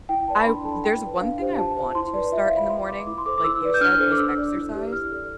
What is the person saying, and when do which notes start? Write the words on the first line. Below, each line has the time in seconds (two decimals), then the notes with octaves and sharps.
I there's one thing I want to start in the morning, like you said, was exercise.
0.09 E4 G5
0.28 B4 D5 A5
0.40 B5
0.46 D4 C6
0.65 A4 A5
0.69 D5
0.84 E4 G5
1.02 B4 D5
1.21 D4 F5
1.39 G4 C5
1.58 F4 A5
1.77 C5
1.95 E4 C6
2.14 B4 D5
2.32 F4 E5
2.44 F5
2.51 C5
2.57 B5
2.69 E4 C6
2.88 B4 D5 D6
3.07 E4 D6
3.18 C6
3.26 A4 C5 D6
3.38 D6
3.44 E4 E6
3.62 B4 D5
3.74 G6
3.81 D4 F6
3.99 A4 C5
4.12 D6
4.18 D4 E6
4.37 A4 D5
4.55 E4
4.74 G4 B4 D5
4.92 E4 F6
5.11 A4 D5